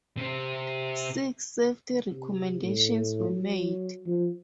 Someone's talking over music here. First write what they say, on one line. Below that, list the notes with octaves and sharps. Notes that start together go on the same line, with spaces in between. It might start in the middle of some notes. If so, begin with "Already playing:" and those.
Six safety recommendations were made.
C3 C4
C3
A2
F#3
F3